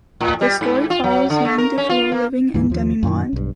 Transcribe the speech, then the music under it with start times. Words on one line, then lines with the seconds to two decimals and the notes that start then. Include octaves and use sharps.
The story follows young DiFool living in demimonde.
0.21 A2
0.41 G3
0.61 G#2
0.90 F4
1.04 F#3
1.30 D3
1.45 A3
1.58 A#4
1.78 C#4
1.89 F4
2.12 A#3
2.54 D2 G#2 E3
2.70 D#2 F3
3.03 F#2 A#2 D3 D#3
3.33 B1 G2